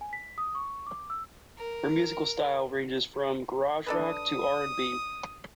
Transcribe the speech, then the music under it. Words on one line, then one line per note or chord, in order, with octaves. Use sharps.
Her musical style ranges from garage rock to R and B.
G#5
B6
D#6
C#6
D6
E6
A#4
D4 A4 B4 D#6